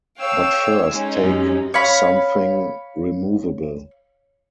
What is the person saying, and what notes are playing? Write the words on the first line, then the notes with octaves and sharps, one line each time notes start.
But first take something removable.
A4 C#5 F5 G5 E6
G#3 C#4 D#4
F#2 G3
C#5 F5 B5